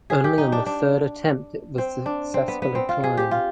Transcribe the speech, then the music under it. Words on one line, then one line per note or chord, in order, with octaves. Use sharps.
Only on the third attempt it was successfully climbed.
G#4
G4
D#4
D4
D4
C4
D4
C4
B3
B3
C4
F4
G#4
G4
F4